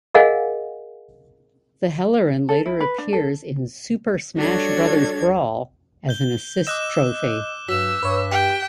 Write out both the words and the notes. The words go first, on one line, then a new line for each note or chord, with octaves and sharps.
The Helirin later appears in "Super Smash Brothers Brawl" as an Assist Trophy.
G#4 A#4 D#5 F5 F#5 G#5
A4
E4
B4
D4
A4
G3 D4 F#4 A4 C#5 G#6
G6 G7
D#5 D6 E6 F#6 E7
G2 F#3 E6 B6
G2 B4 C#5
G4 G5 B6